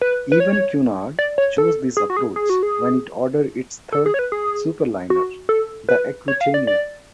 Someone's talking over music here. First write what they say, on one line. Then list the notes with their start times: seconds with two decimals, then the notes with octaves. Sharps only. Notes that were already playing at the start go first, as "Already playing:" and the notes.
Even Cunard chose this approach when it ordered its third superliner, the "Aquitania".
0.01 B4
0.32 B4
0.40 C#5
1.19 D5
1.38 C#5
1.58 A4
1.97 G#4
2.10 F#4
2.17 G#4
2.36 G#4
2.50 F#4
2.63 G#4
3.92 A4
4.06 G#4
4.14 C#5
4.19 B4
4.32 G#4
5.10 F#4
5.49 A4
5.89 B4
6.28 C#5
6.41 F5
6.54 D5
6.67 D5